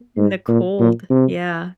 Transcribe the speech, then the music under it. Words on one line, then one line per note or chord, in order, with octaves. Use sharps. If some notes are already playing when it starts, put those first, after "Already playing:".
In the cold, yeah.
G#2
A#2
A#2
C3